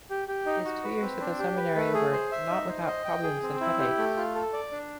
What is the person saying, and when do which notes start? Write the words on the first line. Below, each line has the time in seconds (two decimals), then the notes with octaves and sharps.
His two years at the seminary were "not without problems and headaches".
0.10 G4
0.28 G4
0.46 D#4
0.65 F#4
0.84 B4
1.01 C4
1.20 D4
1.39 G4
1.57 B4
1.76 A3
1.94 G#4
2.12 C5
2.32 E5
2.50 D#4
2.68 C5
2.87 D#5
3.05 G5
3.23 G#4
3.43 C4
3.60 E4
3.79 G4
3.98 A3
4.17 F4
4.35 A4
4.53 D5
4.71 D4